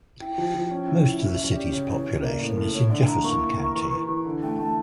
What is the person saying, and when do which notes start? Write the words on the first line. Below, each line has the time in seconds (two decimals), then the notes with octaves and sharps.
Most of the city's population is in Jefferson County.
0.21 E4 G5
0.38 F3
0.54 F3
0.71 C#4
0.88 E4
1.05 E4
1.22 C#4 E5
1.39 C#4 E5
1.55 G4 D5
1.72 C#3 C#5
1.90 E3
2.06 C#3
2.22 A#3 E5
2.28 D5
2.40 A2
2.48 C#5
2.52 A2 A#4
2.74 E4 C#5
2.90 D3 D5
3.07 E4 A#5
3.24 A#3 C#6
3.41 E4
3.58 A#4
3.75 E3
3.92 E3
4.08 E3
4.25 D3
4.42 A3 G5
4.59 A3 A5